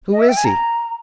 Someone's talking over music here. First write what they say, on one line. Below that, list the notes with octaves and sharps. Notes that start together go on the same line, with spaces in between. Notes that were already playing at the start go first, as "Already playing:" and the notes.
Who is he?
D#5
E5
G5
G#5
A#5